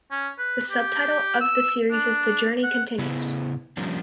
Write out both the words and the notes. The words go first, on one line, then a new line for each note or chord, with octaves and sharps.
The subtitle of the series is "The Journey Continues".
C#4
B4
G4
E6
D4
F#5
C#3 B3 E4 G#4
F3 G3 A#3 C#4 D4